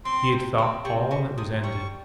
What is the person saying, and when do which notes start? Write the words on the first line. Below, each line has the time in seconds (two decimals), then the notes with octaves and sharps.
He had thought all that was ended.
0.05 C4 C6
0.32 C3
0.58 C4
0.85 C3 C#6
1.11 C3 C#6
1.38 C3 D#6
1.64 G3 C#6